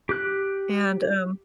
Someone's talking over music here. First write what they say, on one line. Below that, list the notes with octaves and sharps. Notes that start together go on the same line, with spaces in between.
and, um,
G4 F#6